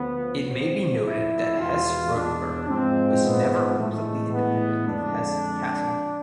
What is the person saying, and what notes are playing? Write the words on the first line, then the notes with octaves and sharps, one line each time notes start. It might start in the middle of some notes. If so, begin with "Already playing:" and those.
It may be noted that Hesse-Rotenburg was never completely independent of Hesse-Kassel.
Already playing: D2 D3 F3 B3
D2 D3 F3 C4
E4
E2 B2 G#3 F4
D4
G#2 F3 G#3 C4
B3
A2 E3 G#3 A3
B3
F2 D3 G#3 D4